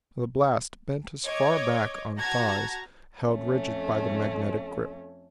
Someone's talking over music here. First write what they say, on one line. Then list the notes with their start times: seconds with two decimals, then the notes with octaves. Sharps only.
The blast bent us far back on thighs held rigid by the magnetic grip.
1.26 C#5 D#5 D6 G#6
2.19 F#4 A5 A#5 G#6 A#6
3.24 F2 A3 C#4